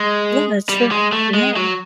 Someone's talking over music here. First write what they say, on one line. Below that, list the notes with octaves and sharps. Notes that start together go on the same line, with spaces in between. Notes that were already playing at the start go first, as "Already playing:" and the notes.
Yeah, that's true. Yeah.
Already playing: G#3
G3
G#3
A3
G#3
F#3